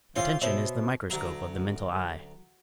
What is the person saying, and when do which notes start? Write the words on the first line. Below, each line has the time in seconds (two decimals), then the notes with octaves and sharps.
Attention is the microscope of the mental eye.
0.16 E3 F4 C5 C#5 F5 C6
0.41 B2 C5 C#5 E5
1.10 D2 F#3 A#5